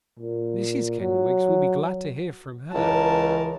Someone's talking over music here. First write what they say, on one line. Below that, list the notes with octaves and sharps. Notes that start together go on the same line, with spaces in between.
Mrs Kenwigs will be glad to hear from her.
A#2
F#3
C#2 E3 A#4 A5